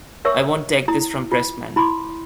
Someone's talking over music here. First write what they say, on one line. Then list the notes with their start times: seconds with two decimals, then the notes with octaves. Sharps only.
I won't take this from Pressman.
0.25 A#4 C#5 E5 C#6 E6
0.88 E4 A#5 D#6
1.32 F4
1.76 E4 B5 C6 D6